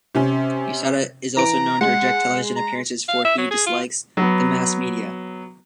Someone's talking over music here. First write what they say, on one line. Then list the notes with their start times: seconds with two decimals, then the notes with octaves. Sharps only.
Yasuda is also known to reject television appearances for he dislikes the mass media.
0.15 C3 C#4
1.37 E3 A#5 D7
1.81 G#3 F#5
2.56 A#5
3.09 F5
3.25 E5
3.38 F#3
3.51 G#4
3.66 F4
4.17 F#3 B3